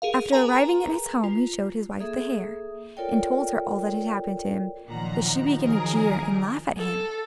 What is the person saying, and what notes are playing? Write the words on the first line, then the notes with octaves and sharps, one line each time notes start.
After arriving at his home, he showed his wife the hair, and told her all that had happened to him, but she began to jeer and laugh at him.
G#4 A#4 F5
G#4 A#4 B4 G#5 A#5
F4
A#3 G#4 A4 E5 D#6
F4 A4 A#4 C#5 D5 G5
A#2 D#3 F3 F#3 F#5 A#5
G#4 A#4
A4